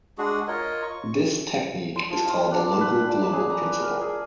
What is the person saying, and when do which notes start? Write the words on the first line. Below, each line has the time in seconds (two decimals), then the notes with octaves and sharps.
This technique is called the local-global principle.
0.18 G#3 D4 F#4 G#4
0.48 F4 A#4 C#5 D#5
0.83 C#6
1.96 C6
2.10 F3
2.26 F4
2.51 D4
2.81 B4
3.09 D5
3.33 G#4
3.50 A#5
3.63 B4
3.82 A#4
4.01 G#4